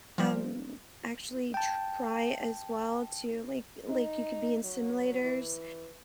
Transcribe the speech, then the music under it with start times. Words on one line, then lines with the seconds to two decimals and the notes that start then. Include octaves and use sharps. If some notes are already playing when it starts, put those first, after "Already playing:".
um, actually try as well to like like, you could be in simulators
0.18 F3 G3
1.54 G5 A5
3.91 D#4
4.64 F#3
5.22 E3